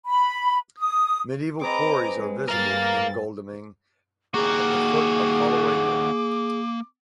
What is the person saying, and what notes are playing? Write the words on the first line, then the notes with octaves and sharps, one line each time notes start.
Medieval quarries are visible in Godalming, at the foot of Holloway Hill.
B5
D#6
C4 G#4 B4 D#5 A#5 D6
G#3
G2 A#4 F5 A6
D#2 A#3 F#4 G#4 A#5 D6